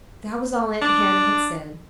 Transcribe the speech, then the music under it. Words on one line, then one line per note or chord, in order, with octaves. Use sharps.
That was all Aunt Hannah had said.
D4